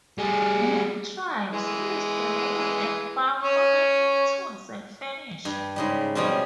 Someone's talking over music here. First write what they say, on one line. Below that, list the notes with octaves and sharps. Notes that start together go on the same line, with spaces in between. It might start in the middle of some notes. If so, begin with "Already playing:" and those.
Many tribes used the wood and bark for making tools and furniture.
G3 G#4
E3 G#3
C#4 C#6
G2
G#2 C#3 G3
B2 F3 G3 C4 C#4